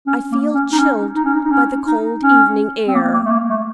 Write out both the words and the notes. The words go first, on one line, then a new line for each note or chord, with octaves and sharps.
"I feel chilled by the cold evening air."
C#4
A#3
C#4
D#4
C#4
D#4
C#4
D#4
D#4
C#4
D#4
C#4
C4
A#3
A#3
A3
A#3
A3